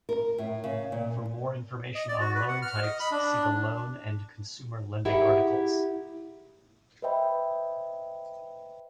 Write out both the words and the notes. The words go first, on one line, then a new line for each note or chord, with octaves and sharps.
For more information on loan types, see the loan and consumer lending articles.
A#4
A2
C#3
A#2
D#5
D5
F#4
B4
F#5
F6
D#5
B5
D4
E4 G4 G#4 A#4 E5 F#5
B4 C5 D#5 E5 G5 B5